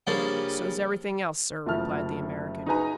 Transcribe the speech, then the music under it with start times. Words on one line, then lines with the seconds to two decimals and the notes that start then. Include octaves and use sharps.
"So's everything else, sir," replied the American.
0.07 C#3 F3 G3 A#3 C#4 D4
1.66 F#1 F3 A3 E4 A5 F6
2.66 D#4 F#4 G#4 B4 G#5 A#5